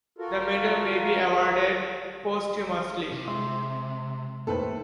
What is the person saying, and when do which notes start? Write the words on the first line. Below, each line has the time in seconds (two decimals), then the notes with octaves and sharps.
The medal may be awarded posthumously.
0.18 F4 F#4 A4 A#4
3.12 C3
3.28 G#3 E5 C6
4.47 D#2 A2 A4 B4 C5